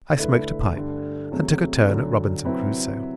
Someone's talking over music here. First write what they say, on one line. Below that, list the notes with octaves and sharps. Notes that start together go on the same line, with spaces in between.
I smoked a pipe and took a turn at ROBINSON CRUSOE.
D3 A3 E4 B4
G2 D3 A3
E2 C3 F#3 A3
D2 D3 F#3
C3 F#3 C4 E4 B4